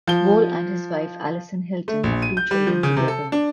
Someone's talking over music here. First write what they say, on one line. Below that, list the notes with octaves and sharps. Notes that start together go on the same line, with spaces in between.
Wohl and his wife Alison Hilton have two children together.
F3 G7
A3
A#1
D#7
G6
G3
F3
C#3
C3
A4
D4